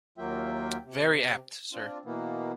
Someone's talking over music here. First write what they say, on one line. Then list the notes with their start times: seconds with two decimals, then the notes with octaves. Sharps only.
Very apt, sir.
0.18 D#2 F#3 A#3 F4 E5 G5
0.84 C3
1.73 C4 D4 F4
2.05 B2 E3 A#3 B3